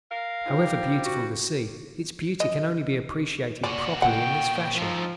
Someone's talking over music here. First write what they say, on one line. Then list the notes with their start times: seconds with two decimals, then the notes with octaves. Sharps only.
However beautiful the sea, its beauty can only be appreciated properly in this fashion.
0.11 A#4 F5
0.46 G3 D#4 F4 G4 C5
1.05 F#4
2.40 D#5
3.64 A#2 F#4 D5
4.02 F#5 G5
4.78 F3 C4 D#4